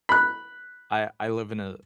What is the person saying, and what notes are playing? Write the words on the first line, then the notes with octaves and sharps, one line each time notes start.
I I live in a
B5 F#6